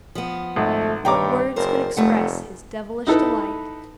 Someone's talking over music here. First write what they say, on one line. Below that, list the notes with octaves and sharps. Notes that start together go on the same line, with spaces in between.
What words could express his devilish delight!
F3 B3
G#1 A3
G2 D#3 C#5 G5 A#5 D6
F#1 A#4 C5
F1 A3 F#5
D#4 E4 A4 B4